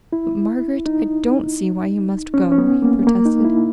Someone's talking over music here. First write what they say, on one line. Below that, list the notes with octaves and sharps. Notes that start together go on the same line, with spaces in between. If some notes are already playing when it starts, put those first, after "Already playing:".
"But, Margaret, I don't see why you must go," he protested.
E4
D#4
C#4
C#4
B3
A#3
A#3
D#4
E4